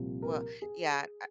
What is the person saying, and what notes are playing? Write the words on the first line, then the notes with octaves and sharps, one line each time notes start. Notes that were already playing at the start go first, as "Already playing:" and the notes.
Well, yeah. Eh,
Already playing: C2 A#2 F3
A#4
G#4